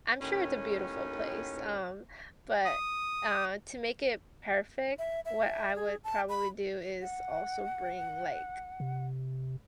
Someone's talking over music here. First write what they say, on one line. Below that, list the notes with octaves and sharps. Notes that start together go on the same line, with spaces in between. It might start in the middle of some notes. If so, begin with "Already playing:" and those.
I'm sure it's a beautiful place, um, but, uh, to make it perfect, what I would probably do is also bring, like,
D#2 A2 D#3 C#4
D#6
E5
E5
G#4
A5
B5
F#5
C3